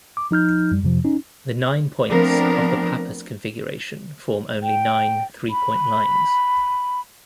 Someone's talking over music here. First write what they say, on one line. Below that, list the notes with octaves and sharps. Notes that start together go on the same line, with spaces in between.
The nine points of the Pappus configuration form only nine three-point lines.
D6
F3 D#4 F6 G6
F#2 G3
F2 C3 F3
C#4 D#4
F3 A3 B3 C4 D4 A#4
G5
B5